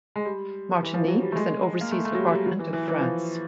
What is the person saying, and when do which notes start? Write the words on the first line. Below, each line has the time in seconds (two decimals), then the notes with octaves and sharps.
Martinique is an overseas department of France.
0.16 G#3
0.25 G3
0.83 E3
0.94 F3
1.08 F#3
1.22 G3
1.32 A3
1.36 G#3
1.81 A#3
1.91 A3
2.05 A3
2.15 F#3
2.19 G3
2.33 G3
2.46 F#3
2.59 E3
2.73 E3
2.88 E3
3.00 F3